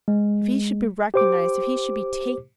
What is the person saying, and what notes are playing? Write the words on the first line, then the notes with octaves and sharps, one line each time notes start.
If he should be recognised! If he should be taken!
G#3
G4 C5 D6